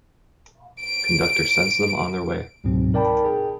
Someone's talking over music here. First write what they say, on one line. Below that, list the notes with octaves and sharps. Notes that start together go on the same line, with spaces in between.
Conductor sends them on their way.
D7
C#2 G#2 B2 F#3 C4
D#4 A#4 D5 G5 A5 B5
G#4 G5